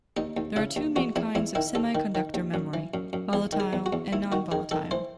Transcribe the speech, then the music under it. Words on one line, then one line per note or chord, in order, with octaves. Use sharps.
There are two main kinds of semiconductor memory, volatile and non-volatile.
D#2 D#4
D#2
C#3 E4
D#2
E2 F#4
E2 E4
E2 E4
D#3 E4
D#2 A4
D#3
D#3
D#2
F#2
E3
F#2
F#2
E2 G#4
D#3
G#4
E2
F#4
E2
D#2 E4
D#3 F#4
D#3 G#4
D#3 A4
E3 C5